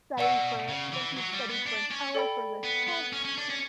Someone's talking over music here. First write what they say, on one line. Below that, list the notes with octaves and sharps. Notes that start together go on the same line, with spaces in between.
study for once you've studied for an hour for this test,
B2 D5 F#5 C#6 E6
C#3
E3
F#3
G3
B3
D4
C#4
A4 D5 G5 B5
B3
B3
C#4
C#4
D4
C#4